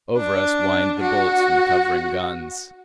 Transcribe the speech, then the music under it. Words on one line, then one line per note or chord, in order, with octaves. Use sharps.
Over us whined the bullets from the covering guns.
D4
F#4